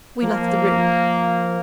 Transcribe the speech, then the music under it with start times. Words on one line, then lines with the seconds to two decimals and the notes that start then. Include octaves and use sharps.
We left the room.
0.22 F3 A#3